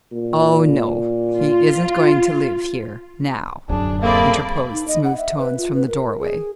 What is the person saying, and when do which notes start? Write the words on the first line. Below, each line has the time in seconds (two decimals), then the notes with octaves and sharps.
"Oh, no, he isn't going to live here--now," interposed smooth tones from the doorway.
0.12 A#2
1.38 F4
3.69 D1 F#2 D4 G#4
4.02 A3 A#3 C4 G#4 D5 B5
4.72 D#4
4.88 D#5
5.04 F#5
5.17 E5
5.38 B4
5.57 F4
5.75 B4
5.87 A#4
6.20 G#4